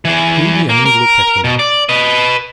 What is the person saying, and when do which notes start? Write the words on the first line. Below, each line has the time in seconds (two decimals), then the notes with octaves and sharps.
Moody only looked at him.
0.05 E3 G#4
0.69 A#3
0.85 A#4
1.44 B2
1.59 D5
1.89 B4 D#5